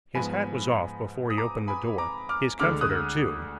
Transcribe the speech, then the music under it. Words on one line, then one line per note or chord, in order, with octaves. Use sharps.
His hat was off before he opened the door; his comforter too.
G#2 F3 B3 G#5 B5
D#6
A#5 D6
G#5 B5
A#5 D6
D6 F6
D2 D3 G#3 D4 D6 F6
D#6 F#6